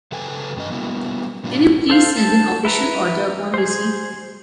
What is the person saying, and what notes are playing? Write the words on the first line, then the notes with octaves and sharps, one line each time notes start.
Can you please send an official order upon receipt?
C#3 F#3 A4 B4 G5 G#5
G2 C#3 D#5
G3 A#3 B3 E4 F#4
A#2 G3 C4 D4 F4
A4 C5 F5
A5
E4 B4 A#5
G#4 C5